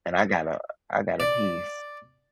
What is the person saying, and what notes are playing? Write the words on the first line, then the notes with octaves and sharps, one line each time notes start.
and I got a I got a piece.
D5